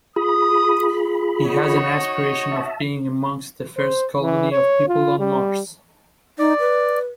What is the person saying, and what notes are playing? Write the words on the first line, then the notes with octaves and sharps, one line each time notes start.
He has an aspiration of being amongst the first colony of people on Mars.
F4 G#4 B5 D#6
D#4 F#4 C#5
E5 A5
C5
E3
C#5
F4
G3
D#4 D5
B4